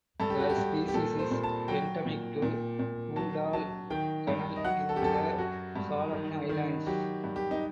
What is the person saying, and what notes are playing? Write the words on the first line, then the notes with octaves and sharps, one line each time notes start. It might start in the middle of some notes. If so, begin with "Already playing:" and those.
The species is endemic to Guadalcanal in the Solomon Islands.
G2 A4
G4
F#4
G4
G2
G4
A#2 A4
C5
A#2
A5
F#3 G5
A#2
A#2
A#2
F#3 A5
F#3 A5
D#3 G5
G2
D#5
F#3 F#5
A4
G4
F#2 A4
A4
F#3 F#4
G2
D#3
D#3
F#3 G4
G2
G4
D#4